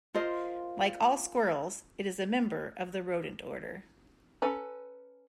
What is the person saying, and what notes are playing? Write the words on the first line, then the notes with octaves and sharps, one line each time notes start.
Like all squirrels, it is a member of the rodent order.
F4 A#4 C5 D#5
C#4 A4 B4 A#5